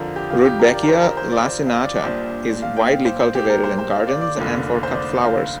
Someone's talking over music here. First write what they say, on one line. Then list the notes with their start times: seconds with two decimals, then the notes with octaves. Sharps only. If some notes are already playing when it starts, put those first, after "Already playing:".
"Rudbeckia laciniata" is widely cultivated in gardens and for cut flowers.
Already playing: F2 D3 F3 F4 A#4
0.16 G4
0.30 F4
0.45 G4
0.59 A#4
0.74 D5
0.83 A#4
0.88 C5
1.02 A#4
1.17 C5
1.31 D5
1.46 C5
1.66 F5
1.85 D5
1.95 D5
2.04 A#1 A#2 G3 D4 C5
2.62 F5
2.77 G5
2.91 F5
3.05 C5
3.20 C5
3.35 G4
3.50 A#4
3.64 C5
3.78 C5
3.92 F5
4.07 D5
4.21 D5
4.36 F1 F2 D3 A#3 D4
4.83 C5
4.94 D5
5.23 F5